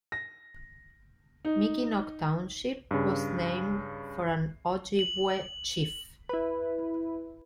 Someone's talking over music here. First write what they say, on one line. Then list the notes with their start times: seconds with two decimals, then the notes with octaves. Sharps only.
Mickinock Township was named for an Ojibwe chief.
0.12 A#6
1.45 D#4
2.91 G2 C#3
4.99 F#7
6.29 E4 B4